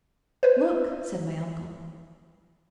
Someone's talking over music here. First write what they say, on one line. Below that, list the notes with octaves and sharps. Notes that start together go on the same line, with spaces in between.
"Look!" said my uncle.
B4 C5